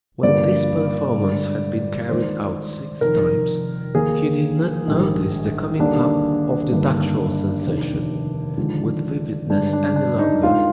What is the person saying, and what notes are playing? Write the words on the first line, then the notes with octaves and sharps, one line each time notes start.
When this performance had been carried out six times, he did not notice the coming up of the tactual sensation with vividness any longer.
G2 D3 F3 A#3 D5
G2 D3 G#3
D#2 D#3 G#3 C5
F1 F2 D#3 A#4
D#2 D#3 A#3 G#4
A#1 G#2 D#3 G3
D#2 D3 G3 A#3 D4
G1 G2 D#3 A#3
F1 D#2 D#3
D#2 D3 F3 G#3
G2 D3 G#3 D4
D4
D4
D#4
D#2 D#3 G#3 F4